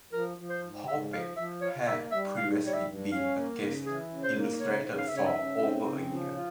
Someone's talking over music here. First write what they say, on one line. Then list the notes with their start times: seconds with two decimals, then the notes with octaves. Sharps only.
Hallbeck had previously been a guest illustrator for over a year.
0.13 F3 A#4
0.37 F3
0.50 C5
0.62 G#2
0.87 G#2 E5
1.11 F3 F5
1.36 F3 E5
1.61 F4 C#5
1.86 A#3 E5
2.11 G3 E5
2.36 G2 F5
2.61 G3
2.67 C#5
2.73 E5
2.85 G2
3.10 C#4 F5
3.36 A#3
3.61 C#3
3.86 E3 G#4
4.10 C#3
4.23 C5
4.35 A#3
4.60 C#3 C#5
4.85 C#3
4.98 F5
5.07 C#3 E5
5.17 C#5
5.26 E5
5.35 C#3
5.59 C4
5.84 C#3
6.10 F3
6.34 F4